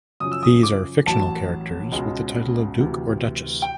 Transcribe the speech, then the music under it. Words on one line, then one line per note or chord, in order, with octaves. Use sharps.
These are fictional characters with the title of "duke" or "duchess".
F#2 C#3 F3 D#6
E6
D#6
D6
A1 A2 F#3 A5
C#2 B2 G#3 C#4
D2 C3 E3
G5